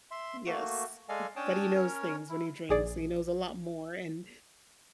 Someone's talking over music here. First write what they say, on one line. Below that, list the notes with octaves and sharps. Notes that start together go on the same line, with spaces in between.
Yes, b but he knows things when he drinks, he knows a lot more, and
E5 C6
A3 A#3 F#4
G#3 A4 D5 D#5 F5 G#5
C#4 D4 C#5 G5 A5 D#6
C#4 A#4 C#5
E4
A#1 G#4 D5